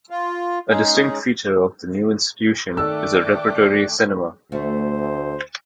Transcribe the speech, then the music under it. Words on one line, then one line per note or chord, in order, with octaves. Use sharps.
A distinct feature of the new institution is the repertory cinema.
F4
G#3 C#4 D#4 G#4
D#3 A3 A4 D5 G5 D6 E6 F#6
D2 A3 C#4 F#4 C5